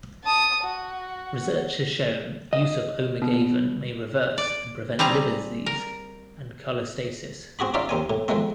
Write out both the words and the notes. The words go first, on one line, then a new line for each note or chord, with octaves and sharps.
Research has shown use of Omegaven may reverse and prevent liver disease and cholestasis.
A5 D#6
F#4
D#5
B2
D5
G3 C4 G#4 A#5
A#4
C4 F#4 G#4 B5
C#4 D#4 F4 D5 E5 F5
D#2 C4 G#5
A2
D#3 F3 G#3 A3 C4